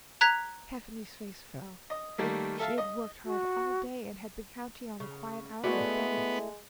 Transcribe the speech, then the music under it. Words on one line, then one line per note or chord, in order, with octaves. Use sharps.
Tephany's face fell; she had worked hard all day, and had been counting on a quiet hour with Denis.
A#5 F#6 G#6 B6 F7
D#5
D#3 G3 A3 A#3
A4 E5 F5 A5
D#5
F#4
C#3
G#3 A3 B3 E4 F#4 D5